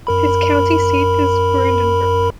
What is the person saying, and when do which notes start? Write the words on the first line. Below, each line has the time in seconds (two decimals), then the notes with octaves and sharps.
Its county seat is Brandenburg.
0.07 F#2 A#4 B5